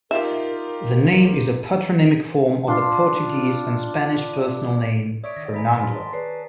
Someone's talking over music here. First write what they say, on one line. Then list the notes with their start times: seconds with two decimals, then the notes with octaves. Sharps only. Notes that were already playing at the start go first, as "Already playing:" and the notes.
The name is a patronymic form of the Portuguese and Spanish personal name "Fernando".
0.11 D#4 F4 G4 A#4 E5
2.68 D4 F4 C6
5.24 C#5 D5 E5 D#6 D7
5.37 D#3 A#6
5.54 E4 C5 G#5 A#5 B6
5.71 F4 B4
5.92 A5 C6
6.13 G#4 B4 C#5 D5 C7